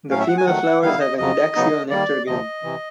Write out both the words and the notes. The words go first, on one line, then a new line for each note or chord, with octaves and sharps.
The female flowers have an adaxial nectar gland.
A2 F#3 A3 C#4 F5
E5
F#5
G#5
D#3 F#3 A3 F#5
D#3 G3 B3 E4 F5
D#5
F2 C#3 F#3 D#5
C#3 F#3 B3 D#4
D#3 G3 A#3 D5
D2 C3 F3 D#5
C3 E3